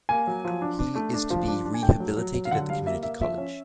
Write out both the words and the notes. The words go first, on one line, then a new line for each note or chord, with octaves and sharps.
He is to be rehabilitated at the community college.
A#3 G#5
F#3
F3
D4
D4
A3
D4
F3
D4
D4
G#5
A3 G5
F#3
F#3
F#3
F5
D3 F#5
G3 F5
A#3 E5
A#3 E5
F3 E5
C#4